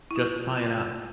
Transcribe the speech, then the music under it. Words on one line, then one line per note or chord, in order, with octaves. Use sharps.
Just tie it up!
E4
F4
F4